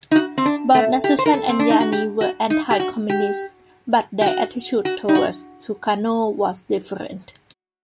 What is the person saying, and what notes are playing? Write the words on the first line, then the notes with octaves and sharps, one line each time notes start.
Both Nasution and Yani were anti-communists, but their attitude towards Sukarno was different.
D#4
F#4
C4
D4
A3
G4
C5
A#4
A4
C4
D4
D#4
F#4
G4
F#4
D#4
G4
F#4
G4
G4
F#4
F#4
D#4
F#4